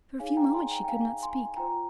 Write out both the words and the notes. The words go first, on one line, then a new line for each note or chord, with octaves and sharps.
For a few moments she could not speak.
D#4 G#4 C#5 F5 G#5
G5 A#5
G#5 C6
G5 A#5
G5
F5 G#5
G#5 C6
F4 C5 G5 A#5